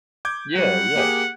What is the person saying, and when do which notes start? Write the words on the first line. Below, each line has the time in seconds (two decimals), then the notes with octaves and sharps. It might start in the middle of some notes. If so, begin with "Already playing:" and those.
Yeah, yeah.
0.25 D6 G6 G#6
0.56 F#3 G3 F#5
0.95 A#3 G4 G#4